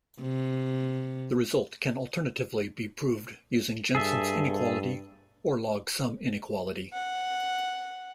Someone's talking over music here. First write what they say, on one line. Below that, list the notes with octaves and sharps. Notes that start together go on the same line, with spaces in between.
The result can alternatively be proved using Jensen's inequality or log sum inequality.
C3
G2 G#4 A4 E5
F#5